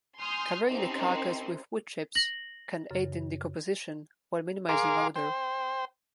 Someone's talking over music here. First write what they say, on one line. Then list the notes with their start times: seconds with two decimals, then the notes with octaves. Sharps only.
Covering the carcass with wood chips can aid in decomposition while minimizing odor.
0.19 G#5 C6 D#6 F6 G6
0.69 C2 C4 C#4 D#4 C6
2.15 A#6 F#7
2.91 F#2 C#3
4.69 G#4 A#4 F5 C6 D6
5.16 C5 G5